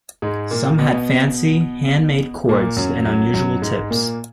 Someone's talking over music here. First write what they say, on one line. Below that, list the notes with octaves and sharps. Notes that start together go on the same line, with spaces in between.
Some had fancy, hand-made cords, and unusual tips.
G#2 G#3
A#2 A#3
B2 B3
A#2 A#3
F#2 F#3
F#2 F#3
F#2 F#3
G#2 G#3
A#2 A#3